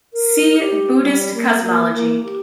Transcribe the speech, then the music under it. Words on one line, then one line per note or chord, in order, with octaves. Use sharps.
See "Buddhist cosmology".
A#4
G4
G3
A#3
A#3
A#3
G4